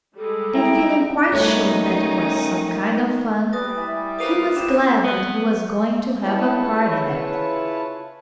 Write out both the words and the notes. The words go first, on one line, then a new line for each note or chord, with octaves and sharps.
And feeling quite sure that it was some kind of fun, he was glad that he was going to have a part in it.
G3 G#3 G4 A4
E4 G5 A#5
B2 D#3 G3 A3 C#4 D#4 C#5
G3 B4 D#6 A6 A#6
E4 G4 E5 G#5
G3 A#3 B4 C5 D#6 D#7 F7
B2 E3 G4 E7
B3
C#3 E4 F4 B4 C#5 A5